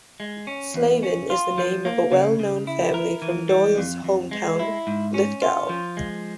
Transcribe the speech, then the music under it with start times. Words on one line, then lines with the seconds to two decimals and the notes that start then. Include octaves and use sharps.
Slaven is the name of a well known family from Doyle's home town, Lithgow.
0.20 G#3
0.47 C#4
0.74 E2
1.03 C#4
1.30 F4
1.58 F3
1.85 A#3
2.12 C#3
2.39 C#3
2.67 E4
2.94 A#4
3.22 E3
3.49 G3
3.78 F2
4.04 F2
4.31 G#3
4.59 E4
4.87 G#2
5.14 C#4
5.42 F4
5.69 F3
5.97 G#3